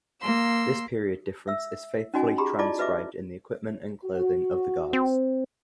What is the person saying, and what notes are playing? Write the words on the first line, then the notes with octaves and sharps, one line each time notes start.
This period difference is faithfully transcribed in the equipment and clothing of the guards.
A#3 C6 E6
E5 E6
C#4 D#4 F#4 D#5 G#5
G4 G#4 A#5 B5
E4 F4 D5 D#5 A5 D6
F#4 B4 D#5 E5 D6
F#4
C4